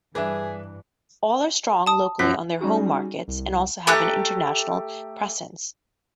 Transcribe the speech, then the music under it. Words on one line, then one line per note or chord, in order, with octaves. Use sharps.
All are strong locally on their home markets and also have an international presence.
G2 E3 D4 G#4 B4 E5
A5 D#6
F#2 B6
G3 C#4 D#4 F#4 G#4
C2
A3 G4 A#5 F#6